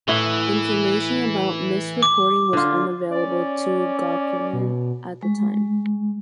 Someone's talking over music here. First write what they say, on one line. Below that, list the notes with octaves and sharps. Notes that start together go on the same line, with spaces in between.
Information about misreporting was unavailable to Gauquelin at the time.
A2 E3 E4 F#5
D6
D3 F4
C#4 D5
B2
G#3